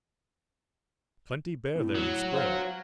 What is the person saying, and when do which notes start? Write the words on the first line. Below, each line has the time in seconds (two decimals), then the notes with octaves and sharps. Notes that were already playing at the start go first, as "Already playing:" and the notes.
"Plenty bear there in spring!"
1.76 A2
1.95 F#3
2.34 C5 F5